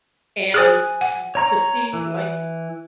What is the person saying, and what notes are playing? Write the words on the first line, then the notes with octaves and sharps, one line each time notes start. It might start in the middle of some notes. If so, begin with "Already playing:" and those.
and you to see, like,
G#4 C5 G#5 D#6 F#6
F#5
C#5 A#5 C#6
E3